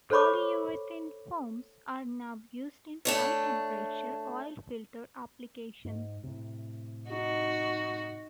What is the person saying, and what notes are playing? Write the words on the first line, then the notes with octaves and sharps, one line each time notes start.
Polyurethane foams are now used in high-temperature oil filter applications.
A4 C5 C#5 B5 C#6 D6
A3 D4 C#5
G#2
A2 C3
D#4 F#4